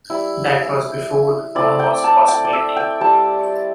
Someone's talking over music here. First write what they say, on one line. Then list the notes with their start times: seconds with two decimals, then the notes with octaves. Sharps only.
That was before the phone was a possibility.
0.10 G3 E4
1.55 A3 C4 E4 D5
1.80 G5
2.04 A5
2.28 G5
2.45 D5
2.53 E5
2.77 G5
3.01 G3 E4 A5